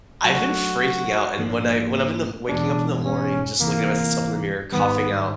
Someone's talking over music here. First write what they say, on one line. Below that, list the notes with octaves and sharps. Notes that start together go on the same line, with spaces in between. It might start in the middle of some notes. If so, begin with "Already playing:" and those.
I've been freaking out. And when I when I'm in the waking up in the morning just looking at myself in the mirror, coughing out
F#3 A3 D4 F#4
G#2 F3 A#3 D4
E2 B2 G#3 D4
C#4
E2 C3 E3 A#3
G#2 D#3 G3 B3